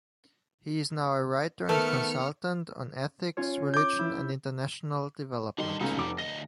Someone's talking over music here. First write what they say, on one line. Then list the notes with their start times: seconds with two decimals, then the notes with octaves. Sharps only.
He is now a writer and consultant on ethics, religion and international development.
1.69 D#3 A3 B3 A4 B4 A5 F6 C#7
3.37 C#4 F4 C#5
3.74 D6 G6
3.99 E4
5.58 D3 D#3 G3 D#4 C6
5.80 C#2 C#3 A3 B3 D#4
5.97 F1 D6
6.18 D2 D#5 A#6